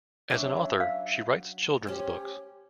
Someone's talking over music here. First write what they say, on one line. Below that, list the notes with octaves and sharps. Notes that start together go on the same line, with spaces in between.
As an author, she writes children's books.
F#3 C#4 D4 E5
F5
C#4 G4 C5